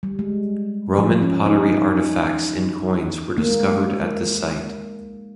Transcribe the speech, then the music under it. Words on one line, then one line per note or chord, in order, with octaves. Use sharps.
Roman pottery artefacts and coins were discovered at the site.
G3
G#3
F3
C#4
D#4
A#3
G#3